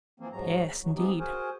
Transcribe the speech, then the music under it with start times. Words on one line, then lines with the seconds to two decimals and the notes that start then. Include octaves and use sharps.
"Yes, indeed."
0.20 E3 F3 A#3 C4
0.32 G#2 F3 F#3 A#5
0.81 E2 F#3
0.96 F3 G#3 B3 C4 D#4 G4
1.19 F#4 G#4 A#4 C5 G#5